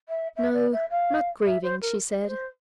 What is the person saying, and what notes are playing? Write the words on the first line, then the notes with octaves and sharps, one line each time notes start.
"No, not grieving," she said.
E5
E5
D5
E5
F5
E5
C5
A#4
D5
C5